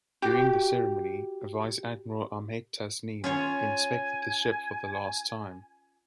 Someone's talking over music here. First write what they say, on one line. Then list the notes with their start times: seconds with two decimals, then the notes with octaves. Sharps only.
During the ceremony Vice Admiral Ahmed Tasnim, inspected the ship for the last time.
0.22 F#4 G4
3.24 C#4 F4 C#5 G#5